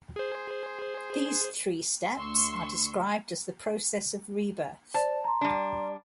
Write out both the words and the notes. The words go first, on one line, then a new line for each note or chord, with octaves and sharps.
These three steps are described as the process of rebirth.
G#4 C5
D2 C6 C#6 E6
C5 D5 A5
A#5 C6
G3 D4